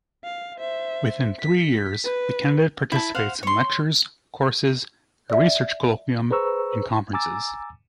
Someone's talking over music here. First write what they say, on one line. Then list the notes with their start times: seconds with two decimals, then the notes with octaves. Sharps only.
Within three years, the candidate participates in lectures, courses, a research colloquium and conferences.
0.24 F5
0.57 C5 E5
1.40 B6
2.04 B4
2.92 E4 A5
3.15 C5 F5 F#5
3.43 C#5 C6
5.30 D5 E5
6.30 G#4 B4 C5 A#5 C#6 E6
7.13 G#5 A#5 D6 E6 A6